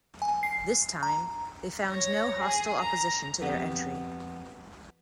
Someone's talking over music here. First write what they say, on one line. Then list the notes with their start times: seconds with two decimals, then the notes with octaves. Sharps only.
This time, they found no hostile opposition to their entry.
0.22 G#5
0.43 C7
1.03 A#5
1.89 C#5 A#6
2.39 G#4
2.80 A#5
3.41 F2 B3 G4 F#5